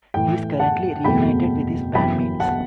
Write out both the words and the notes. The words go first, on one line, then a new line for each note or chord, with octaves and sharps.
He is currently reunited with his band-mates.
A2 E3 A3 G5
F#5 A5
F#1 E2 B2 A3 C4 G5 B5
G1 F#2 E3 G5 B5
F#5 A5